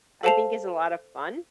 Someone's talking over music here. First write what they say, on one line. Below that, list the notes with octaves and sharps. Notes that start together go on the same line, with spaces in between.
I think it's a lotta fun
A4 C5 F5 A5 C7 F7